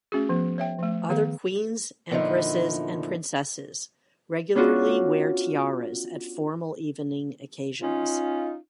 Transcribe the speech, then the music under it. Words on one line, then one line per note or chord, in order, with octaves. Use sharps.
Other queens, empresses, and princesses regularly wear tiaras at formal evening occasions.
A3 C#4 F#4 G#4
F3 B3
C#5 E5 G5
F3 A3
D#3 B3 G#4 F5
E2 A#2 D3 F3 D#4 E4
B3 C#4 D4 F4 F#4
C#4 D#4 F4